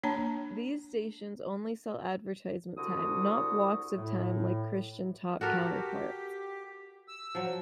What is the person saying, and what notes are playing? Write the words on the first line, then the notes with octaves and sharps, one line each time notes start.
These stations only sell advertisement time, not blocks of time like Christian Talk counterparts.
A#3 D4 C#5 A5 A#5
C2 D3 F#4 D#6
A2
F#4 G4 A4 A#4
E6
F3 F#3